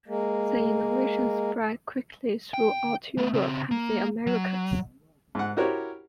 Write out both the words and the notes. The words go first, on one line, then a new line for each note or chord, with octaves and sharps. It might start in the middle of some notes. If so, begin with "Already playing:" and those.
The innovation spread quickly throughout Europe and the Americas.
G#3 A#3
G5
A3 B3
C#3 C4
A#3
F#3
G#2 F#5
E4 F#4 G4 A#4 C5 C#5